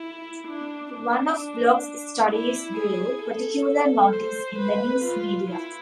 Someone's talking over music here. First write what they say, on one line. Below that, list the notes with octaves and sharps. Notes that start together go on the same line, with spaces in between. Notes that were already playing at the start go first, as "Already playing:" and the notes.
One of Block's studies drew particular notice in the news media.
Already playing: E4
D4
D4
E4
G#4
A4
A4
C5
B4
F4
E4